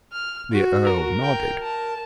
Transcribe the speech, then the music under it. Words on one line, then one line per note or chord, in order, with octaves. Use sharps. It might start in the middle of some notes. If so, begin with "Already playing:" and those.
The Earl nodded.
F6
F#4
A#4
G5
A5